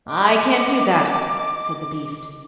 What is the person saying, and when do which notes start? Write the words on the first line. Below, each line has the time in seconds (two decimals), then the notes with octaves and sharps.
"I can't do that," said the beast.
0.07 D#5 D6